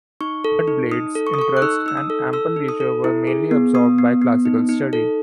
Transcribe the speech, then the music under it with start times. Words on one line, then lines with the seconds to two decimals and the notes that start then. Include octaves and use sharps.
But Blaydes' interest and ample leisure were mainly absorbed by classical study.
0.21 D#4 C#6
0.44 A4
0.68 D#4
0.91 D#4 D#6
1.15 A4
1.27 C#6
1.34 D#6
1.39 A4 C#6
1.57 F#6
1.62 D#4 E6
1.86 D#4 E6
1.97 D#6
2.10 A4
2.33 A4 E6
2.56 D#4
2.68 D#6
2.80 A4
3.04 E4
3.27 G#4
3.51 B3
3.75 B3 D#6
3.98 B3
4.22 B3
4.45 D#4
4.69 D#4
4.93 A4